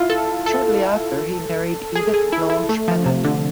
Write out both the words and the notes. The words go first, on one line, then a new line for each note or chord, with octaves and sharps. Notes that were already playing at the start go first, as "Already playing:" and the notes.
Shortly after he married Edith Blanche Bennett.
Already playing: E4 F4
A4
A4
G#4
G#4
E4
E4
A3
F3
C3
D3